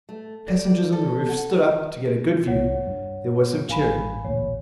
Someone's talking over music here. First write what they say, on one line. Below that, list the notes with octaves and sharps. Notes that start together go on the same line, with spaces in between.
Passengers on the roof stood up to get a good view. There was some cheering.
A3
D5
A4
F#5
C2 C#5 F#5
G2
A1 F5 G#5 B5
A1 D2 A#2 C#5